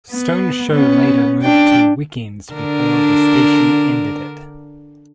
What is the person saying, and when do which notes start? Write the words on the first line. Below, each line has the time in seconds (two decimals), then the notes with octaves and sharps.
Stone's show later moved to weekends before the station ended it.
0.11 B3
0.71 B3 C#4
1.43 D4 G5
2.54 D3 D4 A#4